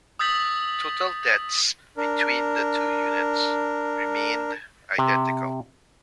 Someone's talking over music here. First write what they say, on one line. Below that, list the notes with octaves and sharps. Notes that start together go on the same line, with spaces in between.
Total deaths between the two units remained identical.
D#6 E6 G6 A6 B6 F#7
D4 A#4
C3